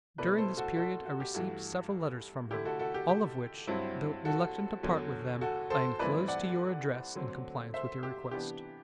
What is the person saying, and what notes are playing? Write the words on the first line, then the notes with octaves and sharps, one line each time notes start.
During this period I received several letters from her, all of which, though reluctant to part with them, I enclose to your address in compliance with your request.
B2 A3 E4 B4 D5
A4 C5
F#4 A4
F#4 A4
F#4
G4
G2 E3 A3 F#4
D3 A3 E4 G4
F#4 A4
F#4 A4
G4
G4
G2 F#3 C4 E4
F#4 A4
E2 D3 F#3
F#4 A4
A4 C5
G2 E3 A3 C4 E4 B4 D5
D5 F#5
D3 F#3 A3 C4
C5 E5
G4
C3 E3 B3 D4 G4